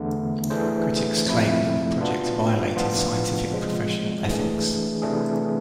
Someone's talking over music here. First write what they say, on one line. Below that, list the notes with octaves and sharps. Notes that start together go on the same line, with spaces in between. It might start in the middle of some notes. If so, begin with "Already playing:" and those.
Critics claimed that the project violated scientific professional ethics.
Already playing: E2 D3 A3
E3 A3 D4 G#4 C5
F2 C3 F3 A3 E4
B2 B3 D4 F4
A2 F3 B3 D4 F4
C3 F3 G#3
E3 A3 D4 G#4
C3 E3 A3 D4 G#4